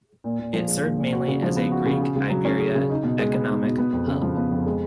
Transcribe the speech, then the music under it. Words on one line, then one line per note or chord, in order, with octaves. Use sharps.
It served mainly as a Greek-Iberia economical hub.
A#2
A#2
F3
G#3
A#2
A#2
F#4
C#3
F3
B3
F#4
C#3
G#4
C#3
F#3
C#4
G#4
C#3
D#4
B2
G#3
B3
D#4
B2
B3
F2
C#3
F3
B3
F2
G#3